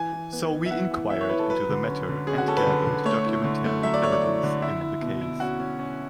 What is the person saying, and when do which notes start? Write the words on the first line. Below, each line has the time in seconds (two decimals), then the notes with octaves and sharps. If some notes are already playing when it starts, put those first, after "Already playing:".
So we inquired into the matter and gathered documentary evidence in the case.
Already playing: E3 G#5
0.12 E3
0.33 B3
0.52 E3
0.66 E5
0.71 B3 F#5
0.91 E3
1.10 B3 E5
1.21 C#5
1.29 E4 B4
1.39 A4
1.49 F#3 B4
1.69 D3
1.88 C#4
2.09 D3
2.27 C#4 G#4
2.38 F#4
2.48 C#4 A4
2.57 B4
2.67 D3
2.87 D3
3.05 A3 C#5
3.26 E4
3.44 D3
3.64 A3
3.83 F#3 E5
3.94 D5
4.03 A3 C#5
4.12 D5
4.23 E4
4.43 D3
4.62 E4 E5
4.81 E4
5.02 B2
5.21 E4
5.40 C#4 F#4
5.60 C#4
5.79 C#4